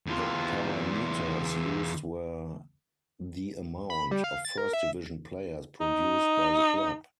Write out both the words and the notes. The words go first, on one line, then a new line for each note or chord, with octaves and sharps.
The parameters used were the amount of first division players produced by the club.
E2 F4
B5
G3
F5
A6
A#4
E5
D#4